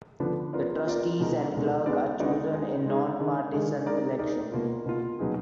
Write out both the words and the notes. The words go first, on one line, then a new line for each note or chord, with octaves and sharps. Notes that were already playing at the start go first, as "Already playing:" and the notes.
The trustees and clerk are chosen in non-partisan elections.
D3 F3 B3 D4
B3 F4 A#4 D5
B3 F4 A#4 D5
B2 G#3 D#4 A#4
B2 G#3 D#4 A#4
G#3 B3 D#4 F#4 D5
G#3 B3 D#4 F#4 D5
G#3 D#4 G#4
G#3 D#4 G#4
D#3 G#3 D4 G#4
D#3 G#3 D4 G#4
G#3 D#4 A#4 D5
G#3 D#4 A#4 D5
B2 A#3 F4
B2 A#3 F4
B2 F#3 B3 D#4 G#4